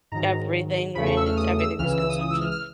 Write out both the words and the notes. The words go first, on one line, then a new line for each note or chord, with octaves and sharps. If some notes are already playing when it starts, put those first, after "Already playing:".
everything, right? It's everything is consumption.
G#2 D#3 F#3 A#5
E2 C#3 F#3 A3 B5
C#6
E6
F6
D#6
E6
C#2 C#3 E3 F6
E6
E6
D#6
D#6
E6
F6
F6